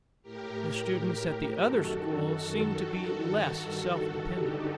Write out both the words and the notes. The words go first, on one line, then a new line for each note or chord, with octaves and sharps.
The students at the other school seemed to be less self-dependent.
A2 G4 A#4
F#2 D#3 F#4 A4
G2 D#3
G2 D3 D#4 G4